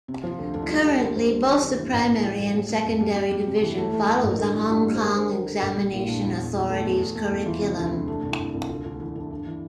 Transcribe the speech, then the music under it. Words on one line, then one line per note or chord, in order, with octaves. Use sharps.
Currently, both the Primary and Secondary Division follow the Hong Kong Examination Authority's curriculum.
C3
F3
D2
D2 D4
E4
G3 F4
D2 G4
D2 A#4
D2 C5
G3 C5
E3
C3 C5
E3
A1
A1
F3
A2
G3
G3
F2
G3
G3 G4
G3
C3
E3
A3
A3
A3
A1
A#4
D3 A4
G3 E4
G2 F4
G3 A4
C5
D3 A#4
D3 C5
D3 A#4
D3 A4
A#4
A#1 A4
G3 G4
A#2 E4
A#2 D4
E2 E4
E2
E2
A3
E2
E2
A3
E2
E3 F4
C3
D2
E4
C3
A3 D4
C2
E4
C2
E4
C2
D2 F4
D2 F4
E3 E4
D2 D4
G2
E3